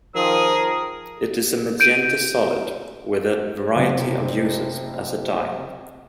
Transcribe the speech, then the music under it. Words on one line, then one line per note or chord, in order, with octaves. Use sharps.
It is a magenta solid with a variety of uses as a dye.
D#3 F3 G#4 A#4 D#6
G6 D7 D#7
F#1 C3